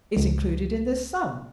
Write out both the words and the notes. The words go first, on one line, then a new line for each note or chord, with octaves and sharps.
"Is included in this sum."
C#2